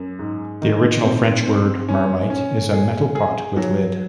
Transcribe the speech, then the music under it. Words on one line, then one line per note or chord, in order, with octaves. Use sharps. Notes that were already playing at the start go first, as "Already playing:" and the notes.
The original French word "marmite" is a metal pot with lid.
Already playing: F#2
G#2
D#3
C4
C4
C#4
C#4
G#4
G#4
F#3